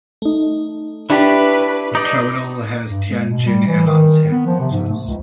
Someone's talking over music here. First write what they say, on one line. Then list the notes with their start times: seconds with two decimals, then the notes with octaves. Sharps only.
The terminal has Tianjin Airlines headquarters.
0.22 A3 D#4
1.10 D4 E4 G4 B4 C#6
1.95 D#4 D5 D#5
2.89 G2
3.09 G#3
3.28 B2
3.46 G3
3.68 E3
3.86 D#3
4.31 B3
4.46 F3
4.60 C3
4.72 G#2
4.89 A3
5.07 C#2